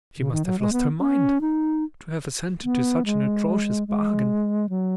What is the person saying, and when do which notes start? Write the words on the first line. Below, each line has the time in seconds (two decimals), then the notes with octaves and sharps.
She must have lost her mind to have assented to such an atrocious bargain.
0.18 C#3
0.32 D#3
0.45 F#3
0.59 G#3
0.73 B3
1.00 C#4
1.41 D#4
2.64 B3
3.05 G#3
3.88 G#3
4.69 F#3